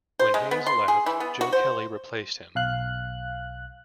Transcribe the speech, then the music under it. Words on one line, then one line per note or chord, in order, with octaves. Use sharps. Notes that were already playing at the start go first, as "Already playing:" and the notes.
When Hays left, Joe Kelly replaced him.
C5
G#3
B3
C6
G#4
E3
B3
F#4
C5
B1 F5 F#6